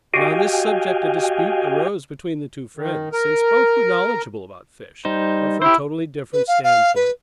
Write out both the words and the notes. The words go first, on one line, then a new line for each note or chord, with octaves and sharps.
And on this subject a dispute arose between the two friends, since both were knowledgeable about fish, but from totally different standpoints.
F#4 G4 D#5 F5 G5 G#5
D#3
A#4
G3 D#4 C5
E4 G4 C5
B4
F5
F5
B4